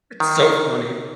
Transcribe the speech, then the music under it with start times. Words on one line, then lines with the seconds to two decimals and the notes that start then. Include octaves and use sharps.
It's so funny.
0.20 D#3